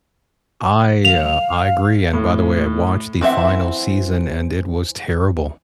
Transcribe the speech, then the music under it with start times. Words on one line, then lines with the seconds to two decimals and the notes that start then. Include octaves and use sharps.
I, uh, I agree, and by the way, I watched the final season and it was terrible.
1.05 F5 F7
2.13 A2
3.21 E3 C4 E4 E5 F#5